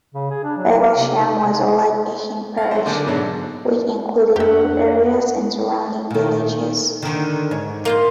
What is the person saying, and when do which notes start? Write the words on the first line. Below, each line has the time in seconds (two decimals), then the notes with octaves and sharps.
Faversham was a large ancient parish, which included rural areas and surrounding villages.
0.14 C#3
0.31 G#4
0.43 D4
0.57 F#3
0.76 A#3
0.98 C3
1.18 D#4
1.42 C3
2.58 F5 F#5
2.71 F#3 A3 C5
2.86 D3 A#3 D4 A4 G#5 G6
3.06 G#2 B2 D3 F#3 G#3 D4
3.24 A4
4.36 F2 D4 G4 E5 F#5 F#6
6.10 A#2 D#3
7.02 D3 D#3
7.51 G#2 C#5
7.85 A#3 F4 C5